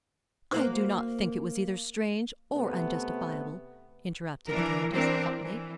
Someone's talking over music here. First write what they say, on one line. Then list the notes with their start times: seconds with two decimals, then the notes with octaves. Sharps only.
"I do not think it was either strange or unjustifiable," interrupted the Countess, hotly.
0.53 A#3 F#4 C5
2.52 C3 A3 B3
4.49 E3 D4 A#4
4.91 E3 C4 D4 A#4
5.41 E3